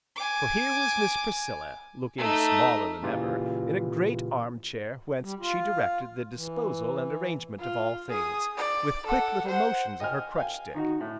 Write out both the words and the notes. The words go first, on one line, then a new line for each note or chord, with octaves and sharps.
For here was Miss Priscilla, looking smaller than ever, in a great arm chair whence she directed the disposal and arrangement of all things, with quick little motions of her crutch-stick.
G#5 D6
A3 D#4
A#2 C#3 E3 F4 G4
G3
F4
E3
F4
G#4 D#6
D5
A4 F#5
C5 F#5
D#5 G5 G#5 F6
F5 G5 G#5
D#3 D#4 F#4
A2